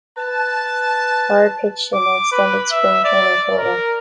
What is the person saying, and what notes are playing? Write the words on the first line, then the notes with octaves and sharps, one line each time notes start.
Prior pitched in their extended spring training program.
B4 A5
D6
B4
E5
D5
A#4